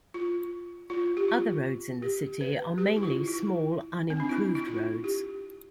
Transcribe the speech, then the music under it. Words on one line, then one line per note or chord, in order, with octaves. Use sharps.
Other roads in the city are mainly small unimproved roads.
F4
F4
G4
F4
G4
B4
G4
E4
F4
E4
C4
D4
E4
E4
F4
G4